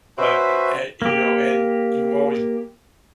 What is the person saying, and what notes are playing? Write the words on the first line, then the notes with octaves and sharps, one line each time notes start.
but at you know, and you always,
C#4 F#4 B4 C5 E5
A#3 G4